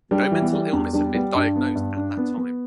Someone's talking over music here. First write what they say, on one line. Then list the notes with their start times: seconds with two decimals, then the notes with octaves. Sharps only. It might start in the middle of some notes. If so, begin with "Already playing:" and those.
No mental illness had been diagnosed at that time.
0.11 G3 D4
0.31 E3
0.42 B3
0.53 G3
0.73 E2 D4
0.93 G3 D4
1.14 G3 B3
1.34 G2 D4
1.56 B3
1.75 G2
1.97 D4
2.17 B3
2.38 B3